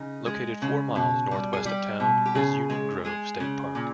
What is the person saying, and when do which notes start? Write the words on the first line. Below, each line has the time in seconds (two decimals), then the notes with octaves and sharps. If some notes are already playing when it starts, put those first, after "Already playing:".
Located four miles northwest of town is Union Grove State Park.
Already playing: C#3 D#4
0.26 G#3
0.62 C#3
0.95 B2
1.31 G3
1.53 G#4
1.65 G3 G4
2.00 B2
2.26 G4
2.35 C#3 G#4
2.70 G#3
3.05 G#3 G#4
3.40 C#3
3.75 A#2